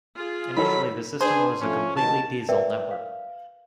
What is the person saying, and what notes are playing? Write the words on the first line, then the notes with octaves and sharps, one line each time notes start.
Initially, the system was a completely diesel network.
F4 G#4
D#3 F#3 D#4 A4 B5
D4 G#4 B4 C5
F3 A3 C#4
B2 D#3 A5
A#4 B4 D5 E5 G5
F5